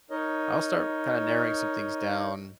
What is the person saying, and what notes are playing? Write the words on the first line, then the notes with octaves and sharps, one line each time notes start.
I'll start kinda narrowing some things down
D#4 A#4 C#5 D#5